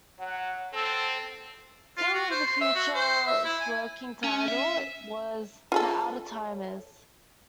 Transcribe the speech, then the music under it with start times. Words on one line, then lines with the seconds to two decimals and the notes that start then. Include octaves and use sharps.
"Phil of the Future"s working title was "The Out of Timers".
0.19 F#3 F#5
0.73 C4 A4
1.98 F4
2.14 F#4
2.31 C5
2.47 C6
2.61 E5
2.75 F#4
2.95 C5
3.27 E5
3.45 E4
3.60 G#5
4.24 C#4
4.48 E5
5.72 F4 G#4 A4